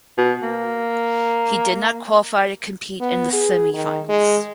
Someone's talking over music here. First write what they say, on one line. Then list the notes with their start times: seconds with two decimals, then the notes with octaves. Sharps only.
He did not qualify to compete in the semifinals.
0.18 B2
0.43 A#3
3.01 B3
3.33 G#4
3.73 D#3
4.09 G#3